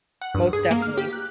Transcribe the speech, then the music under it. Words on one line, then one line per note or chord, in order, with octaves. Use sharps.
Most definitely.
F#5
G2
G#4
A#3
F6
G4
F#6